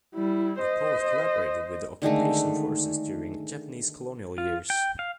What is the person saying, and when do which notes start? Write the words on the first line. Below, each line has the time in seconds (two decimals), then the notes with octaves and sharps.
The poet collaborated with the occupation forces during Japanese colonial years.
0.15 G3 E4
0.60 C5 D#5
2.02 D3 D#3 G#3 A3
4.38 F4
4.70 G5
4.99 F5